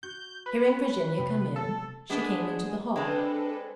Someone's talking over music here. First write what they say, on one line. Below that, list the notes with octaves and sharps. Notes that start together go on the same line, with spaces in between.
Hearing Virginia come in, she came into the hall.
F#4 G6
B4
C3 B3
A4
G#3 B3 D4 G#4
G#3 C4 D4 A4 B4